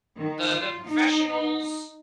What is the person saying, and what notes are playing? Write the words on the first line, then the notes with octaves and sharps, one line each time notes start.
The the professionals,
D#3
F4
D#4